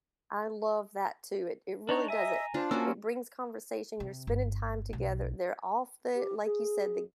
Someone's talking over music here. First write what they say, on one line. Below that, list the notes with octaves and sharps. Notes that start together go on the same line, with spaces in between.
I love that too. It it really does it. It brings conversation, you're spending time together, they're off the like you said, the
D4 D#4 C#5 A#5
D#5 E5 G#5 A#5
D4 F4 C5 A5
A#3 C#4 F4 F#4 E6
C3
G1
B1
G4
G#4